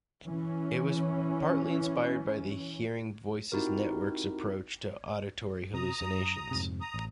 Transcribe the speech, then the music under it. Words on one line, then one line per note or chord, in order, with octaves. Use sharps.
It was partly inspired by the Hearing Voices Network's approach to auditory hallucinations.
E3 C#4
C4 D#4 E4 F#4 G4 A#4
C3 A#5 D#6
F#2
F2 G#2 C3
A#5 D#6
A1